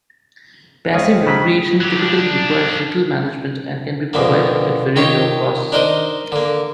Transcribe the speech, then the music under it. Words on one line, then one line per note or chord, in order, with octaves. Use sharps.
Passive recreation typically requires little management and can be provided at very low costs.
G#3 C4 C#5 D#5 F5
C#3 F#3 B5
F#3 G4
F3 D4
F2 B2 D3 A#3
D#3 F4 G4 C#5
D4 D#4 A#4 C5 D#5
D3 A#3